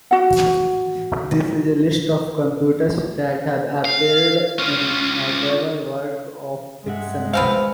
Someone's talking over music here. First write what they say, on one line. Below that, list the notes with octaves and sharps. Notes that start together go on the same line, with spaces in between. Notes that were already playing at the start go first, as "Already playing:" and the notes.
This is a list of computers that have appeared in notable works of fiction.
F#4 F#5
F5
C#4 F4
G2 G#3 E5 F#5
B3 C4 C5 F5